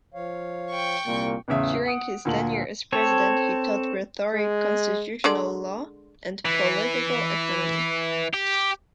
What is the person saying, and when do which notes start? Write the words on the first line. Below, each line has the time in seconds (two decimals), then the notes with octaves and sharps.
During his tenure as President, he taught Rhetoric, Constitutional Law, and Political Economy.
0.14 F3 C#5 F5
0.70 G5 C#6
1.06 C2 A#2
1.48 A1 E2 C#3 E5
1.86 F#5 D#6 D7
2.25 D2 A#2 A5 F#7
2.92 C4 A4 C#5
4.33 G#3
5.24 D3 G#3 D5
6.45 E3
8.34 G4